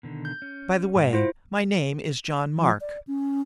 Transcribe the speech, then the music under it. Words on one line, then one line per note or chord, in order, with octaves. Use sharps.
"By the way, my name is John Mark."
B2 D3 D#3
G6
C#4
G#2 G#3 F#5
E4 F4 C5
F3
D5
C#4